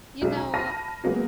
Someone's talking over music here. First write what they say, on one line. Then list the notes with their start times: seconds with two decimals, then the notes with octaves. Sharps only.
You know, uh,
0.21 B1 F#3 G#3
0.37 A#5
0.54 A5 B5 F6 A#6 D#7
1.04 C#3 F#3 G#3 A#3 B3